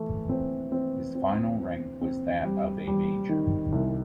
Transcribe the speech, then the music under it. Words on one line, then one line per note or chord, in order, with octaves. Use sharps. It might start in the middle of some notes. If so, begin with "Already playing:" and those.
His final rank was that of a Major.
Already playing: E3 A3
C4
C4
C4
C4
C4
G3
G3
D#3
C2